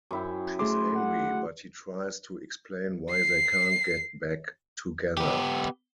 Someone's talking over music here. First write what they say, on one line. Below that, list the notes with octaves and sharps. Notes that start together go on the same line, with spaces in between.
She's angry but he tries to explain why they can't get back together.
F#2 E4 G5
A3 G#4 C6 D6
F#5
C7
B3 G4